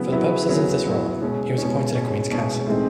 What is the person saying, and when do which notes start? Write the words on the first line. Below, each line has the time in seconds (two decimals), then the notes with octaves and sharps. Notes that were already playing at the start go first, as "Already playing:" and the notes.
For the purposes of this role, he was appointed a Queen's Counsel.
Already playing: C#3 F#3 B3 E4
0.12 C#3 F#3 B3 E4
0.49 C#3 F#3 B3 E4
0.85 C#3 F#3 B3 E4
1.21 B2 G#3 C#4
1.58 B2 G#3 C#4
1.95 B2 G#3 C#4
2.31 B2 G#3 C#4
2.67 A2 E3 G#3 C4 D#4